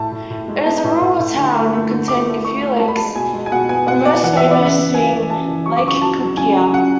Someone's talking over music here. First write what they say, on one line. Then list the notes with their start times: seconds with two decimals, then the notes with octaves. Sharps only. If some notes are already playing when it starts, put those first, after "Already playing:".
It is a rural town containing a few lakes, most famous being lake Kukkia.
Already playing: A2 A5
0.12 A2
0.30 A2
0.48 G#3
0.65 B3 A5
0.84 A2
1.01 A2
1.19 A2
1.37 D3
1.55 A3
1.73 A3
1.91 D3
2.08 A3 D6
2.27 A3
2.44 A3 C#6
2.62 A3
2.80 G#3 A5
2.88 B5
2.96 G#3 A5
3.16 B2 G#5
3.33 G#3
3.46 G#5
3.52 B2 F#5
3.69 B3 G#5
3.87 B2 F#5
4.05 B3 D5
4.23 E3 F#5
4.37 B3 E5
4.51 D5
4.59 C#3
4.65 E5
4.76 B3
4.94 B3 G#5
5.12 E3
5.30 C#3 A5
5.48 E3
5.66 F#3 C#6
5.77 D6
5.84 C#3 C#6
6.02 F#3 A5
6.20 F#3
6.37 C#3 G#5
6.56 F#3
6.73 C#3 F#5